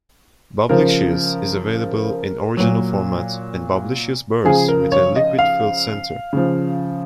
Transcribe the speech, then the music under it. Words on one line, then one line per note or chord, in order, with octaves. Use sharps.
Bubblicious is available in original format and Bubblicious Bursts with a liquid-filled center.
C#3 F3 A#4
A#2 F#3
C#3 F3 G#4
A#4
C#5
D#5
F5
C#3 F3